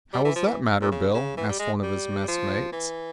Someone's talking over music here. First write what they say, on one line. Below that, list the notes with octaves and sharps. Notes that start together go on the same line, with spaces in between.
"How was that matter, Bill?" asked one of his messmates.
G3
E3
F3
E3
A#2
C#3
C#3
E3
G3
G#3
G3
F3
E3